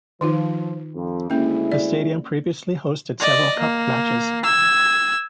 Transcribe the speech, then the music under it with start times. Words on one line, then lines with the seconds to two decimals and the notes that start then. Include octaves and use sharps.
The stadium previously hosted several cup matches.
0.21 D#3 F3 D#4 F4
0.94 F2
1.30 D2 G#3 A#3 C#4 E4
1.72 D5
3.20 D5 D#5
3.60 A#3
4.44 E6 G#6